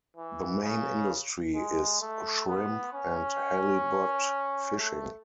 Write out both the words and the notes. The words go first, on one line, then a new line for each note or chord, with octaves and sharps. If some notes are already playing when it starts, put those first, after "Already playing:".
The main industry is shrimp and halibut fishing.
E3
C#3
G#3
A3
B3
C#4
A3